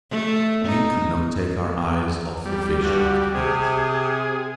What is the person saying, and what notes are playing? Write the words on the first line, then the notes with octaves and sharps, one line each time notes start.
We could not take our eyes off the fish after that.
A3
D#4
G3
G2 F#4
C3 G#4